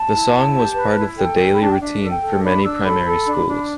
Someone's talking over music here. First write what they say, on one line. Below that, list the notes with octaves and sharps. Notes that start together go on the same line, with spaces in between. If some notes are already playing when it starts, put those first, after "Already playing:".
This song was part of the daily routine for many primary schools.
Already playing: A5
E4
E4
G4
B4
E4
A4 G5
A4
B5
D4 A5
G5
D4 E5
A4
G5
A4
D4 B5
D4 E6
A4 B5
A4
D4
D4